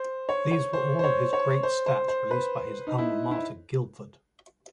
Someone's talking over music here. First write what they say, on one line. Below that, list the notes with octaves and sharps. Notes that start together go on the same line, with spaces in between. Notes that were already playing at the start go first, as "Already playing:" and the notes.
These were all of his great stats released by his alma mater Guilford.
Already playing: C5
C#5
C#5
C5
C5
C#5
C#5
C5
C5
C5
B4
D#4
E4
E4